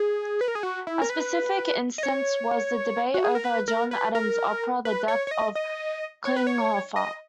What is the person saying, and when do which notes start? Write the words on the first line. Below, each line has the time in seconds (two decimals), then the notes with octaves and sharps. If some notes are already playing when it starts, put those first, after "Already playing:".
A specific instance was the debate over John Adams's opera "The Death of Klinghoffer".
Already playing: G#4
0.41 B4
0.48 A#4
0.55 G#4
0.63 F#4
0.87 E4
1.02 A#4
1.10 B4
1.98 D#5
2.03 C#5
3.14 F#4
3.24 G#4
3.35 A#4
3.45 B4
3.68 A#4
3.91 B4
4.15 A#4
4.85 B4
5.08 C#5
5.27 C#5
5.31 D#5
5.55 D#5
6.25 C#5
6.36 B4
6.47 C#5
6.96 D#5